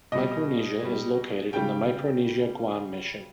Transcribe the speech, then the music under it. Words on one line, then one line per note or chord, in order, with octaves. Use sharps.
Micronesia is located in the Micronesia Guam Mission.
B2 G3 D#5
B2 G3
C#3 G3 G5